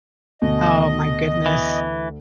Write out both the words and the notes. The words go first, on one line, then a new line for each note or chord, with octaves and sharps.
Oh my goodness.
D2 B2 D#5
E3